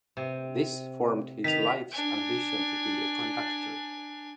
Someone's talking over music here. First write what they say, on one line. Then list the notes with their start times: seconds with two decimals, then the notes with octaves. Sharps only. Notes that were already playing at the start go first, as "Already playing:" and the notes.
This formed his life's ambition to be a conductor.
0.17 C3
1.44 D#3 B6 F7
1.91 D4 G#5